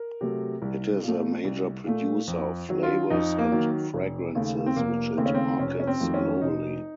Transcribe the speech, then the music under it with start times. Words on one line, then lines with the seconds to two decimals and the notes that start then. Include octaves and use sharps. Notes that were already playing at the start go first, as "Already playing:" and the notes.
It is a major producer of flavors and fragrances which it markets globally.
Already playing: A#4
0.21 C3 F#3 A3
0.62 C2
1.03 A#2 A3
1.45 C2
1.86 A#2 A3
2.27 F2
2.69 D#3 F#3
2.83 F4
3.10 F2 D#4
3.39 A#3
3.52 D#3 F#3
3.93 F1
4.35 D#2 C#3 A3
4.66 C4
4.76 F1 A#3
5.17 D#2 C#3 A3 C4
5.26 C#4
5.35 C4
5.59 F1 C#4
5.80 C#4
5.87 C4
6.00 F2 D#3 F#3 A3
6.14 C#4
6.41 F1 D#4